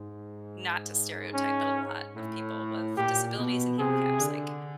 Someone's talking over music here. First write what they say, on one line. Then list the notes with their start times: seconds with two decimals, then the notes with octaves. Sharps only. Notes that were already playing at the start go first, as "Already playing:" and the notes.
not to stereotype, but a lot of people with disabilities and handicaps, like,
Already playing: G#2
1.34 C#4
2.15 A2
2.97 A#2 G4
3.38 B2
3.79 C3 G#4
4.19 D3